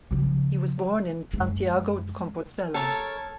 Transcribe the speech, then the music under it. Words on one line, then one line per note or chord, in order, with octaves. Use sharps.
He was born in Santiago de Compostela.
C#3 F3
F#2 G#3
A4 A#4 C#5 A5